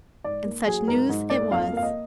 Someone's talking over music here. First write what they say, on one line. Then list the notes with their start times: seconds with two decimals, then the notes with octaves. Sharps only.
And such news it was!
0.24 G#2 D5
0.45 A#3
0.66 F#3 G#4
0.88 G#2 A#4
1.09 G#2
1.30 A#3 D5
1.51 F2 F5
1.72 A#3 F5
1.83 D#5